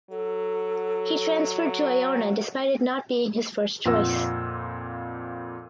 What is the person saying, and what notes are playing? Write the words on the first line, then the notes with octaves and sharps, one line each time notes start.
He transferred to Iona despite it not being his first choice.
F#3 A4
F2 A#2 F4 F#5 E6 A#6